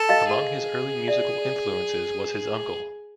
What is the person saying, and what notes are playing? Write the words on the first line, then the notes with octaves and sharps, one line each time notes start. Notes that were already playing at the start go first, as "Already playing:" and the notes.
Among his early musical influences was his uncle.
Already playing: A4
D#5 F5
G#4
D5 E5